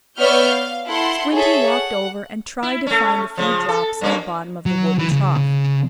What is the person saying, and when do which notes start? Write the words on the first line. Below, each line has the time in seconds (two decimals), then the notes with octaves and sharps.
Squinty walked over and tried to find a few drops in the bottom of the wooden trough.
0.17 B3 C#5 D5 E5 F6 G6
0.50 F5
0.86 E4 A4 F#5 C6
1.34 G#4 A4 C#5 E5
1.69 F#5
2.63 E4
2.87 A3 C#4
3.37 C#3 F3
3.69 A4
4.01 G2 A#3 C#4
4.66 F#3
4.99 E3
5.11 C#3
5.36 C#3